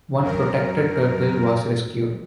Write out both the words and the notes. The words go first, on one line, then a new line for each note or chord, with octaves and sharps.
One protected turtle was rescued.
F#2 A#4